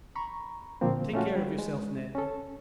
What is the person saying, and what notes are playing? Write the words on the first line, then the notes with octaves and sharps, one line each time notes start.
"Take care of yourself, Ned."
A#5 B5 C#6
A#2 D3 F3 A#3 C4
A3 C#4 F4 F#4
G3
G#3
C#4 A4